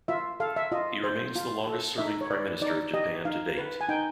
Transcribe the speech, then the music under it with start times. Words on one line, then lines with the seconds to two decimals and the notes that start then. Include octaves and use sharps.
He remains the longest-serving Prime Minister of Japan to date.
0.08 F4 E5
0.40 A4 F5
0.56 E5
0.72 F4 D#5
1.04 C5
1.36 F4
1.67 A4
1.98 D#4 E5
2.21 C#5
2.31 B4 D5
2.61 D#4 D5
2.94 G4 D#5
3.25 D#4 F5
3.57 B4
3.81 G#5
3.89 D#4 G5